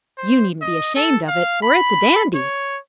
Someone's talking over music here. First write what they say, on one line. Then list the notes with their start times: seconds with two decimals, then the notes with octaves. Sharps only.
You needn't be ashamed of it, for it's a dandy.
0.18 C5
0.62 D#5
0.96 A4
1.28 F5
1.62 B5
2.35 C#5